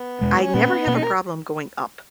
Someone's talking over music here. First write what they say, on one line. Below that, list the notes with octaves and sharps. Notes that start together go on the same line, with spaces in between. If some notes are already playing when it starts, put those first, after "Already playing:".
I never have a problem going up.
Already playing: B3
E2 B2 G#3
C#4
A#2 A#3 B3 C#4
B2 A#3 B3 C#4
D#4
A#4